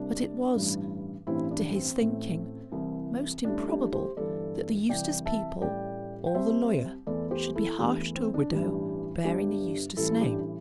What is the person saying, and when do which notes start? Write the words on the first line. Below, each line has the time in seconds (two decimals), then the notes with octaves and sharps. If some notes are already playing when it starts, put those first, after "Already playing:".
But it was, to his thinking, most improbable that the Eustace people or the lawyer should be harsh to a widow bearing the Eustace name.
Already playing: C2 C3 G3 D4
0.55 A1 G2 E3 G3
1.27 A1 G2 E3 G3 C4 E4
1.51 D4
1.75 C4
2.00 A1 A2 A3
2.72 C2 C3 E3
3.45 A1 A2 G3 D4
3.68 D4 G4
3.92 G4 C5
4.17 G1 G2 E3 A4 D5
4.89 C2 C3 E3 D5 G5
5.26 E5 A5
5.62 A1 A2 G3 D5 G5
6.26 G5
6.34 C2 C3 G3 C5 E5
7.07 E2 E3 A3 A4 D5
7.31 G4 C5
7.55 E4 A4
7.79 E2 E3 A3 D4 G4
8.15 C4
8.34 D4
8.52 A1 G2 E3 G3 D4 G4
9.24 G1 G2 G3 D4 G4
9.97 A1 A2 E3 G3 E4 A4
10.12 E4
10.21 D4 G4